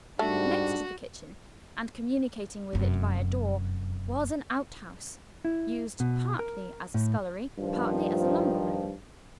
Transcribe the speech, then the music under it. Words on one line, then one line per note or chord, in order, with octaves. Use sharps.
Next to the kitchen, and communicating with it by a door, was an outhouse; used, partly as a scullery, partly as a lumber-room.
G#2 G3 A3 D4 F#4
F1 F#2
E4
B2
A#4
A2
G2 D#3 F3